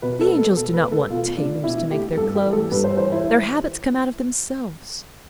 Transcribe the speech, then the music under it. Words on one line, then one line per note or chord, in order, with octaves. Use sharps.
The angels do not want tailors to make their clothes: their habits come out of themselves.
B2 B4
A4
A3
A4
B2 A4
B4
A3
A4
B2 F4
A3 D4
B2 E4
A3 G4
G2 A4
G4
E3 G3
A4
G2 B4
C5
E3 G3 C5
E4